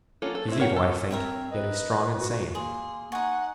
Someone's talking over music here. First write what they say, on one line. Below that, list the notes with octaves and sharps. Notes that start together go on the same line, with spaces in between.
"He's evil, I think, yet he's strong and sane."
F#3 A#3 C#4 F4 A4
A4
C4 E4
A#4 C#5 F#5 G5
A4
C4 A#4 C#5 E5
B4 D#5
F#4
A#3 G#4 C6
D#4 F#5 G#5 C#6